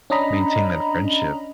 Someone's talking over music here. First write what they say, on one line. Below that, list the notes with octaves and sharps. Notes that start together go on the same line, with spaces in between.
maintain that friendship.
C#4 D4 D#5 A#5 B5